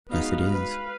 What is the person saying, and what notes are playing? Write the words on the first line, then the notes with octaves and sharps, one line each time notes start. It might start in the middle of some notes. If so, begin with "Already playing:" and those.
"Yes, it is."
G#3 B3 D#4 F#4 B4 F5
B4 F5